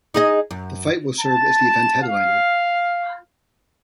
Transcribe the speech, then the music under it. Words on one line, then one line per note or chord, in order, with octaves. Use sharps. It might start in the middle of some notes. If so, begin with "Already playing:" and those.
The fight will serve as the event headliner.
D#4 G#4 D#5
F#2
A5
F5